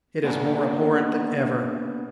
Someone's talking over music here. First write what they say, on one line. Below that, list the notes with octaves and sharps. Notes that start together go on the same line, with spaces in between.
It is more abhorrent than ever.
A#3 B3 D4 G#4 A#4